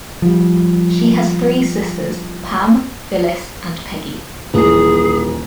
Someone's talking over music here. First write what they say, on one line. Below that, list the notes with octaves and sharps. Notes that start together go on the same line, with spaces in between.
She has three sisters: Pam, Phyllis, and Peggy.
F3 G3
D#1 E3 G#4